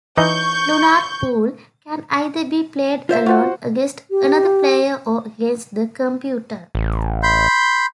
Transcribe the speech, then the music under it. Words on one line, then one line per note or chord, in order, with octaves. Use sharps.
"Lunar Pool" can either be played alone, against another player, or against the computer.
E3 D#4 C#6 G6
F4 C5 E5
F4 F#4 C5 F#5
G4
A1
B5 C6 G6